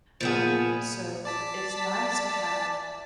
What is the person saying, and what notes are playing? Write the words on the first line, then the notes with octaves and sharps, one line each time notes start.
Um, so it's nice to have
A#2 F3 B3 G#4
D5 A5 B6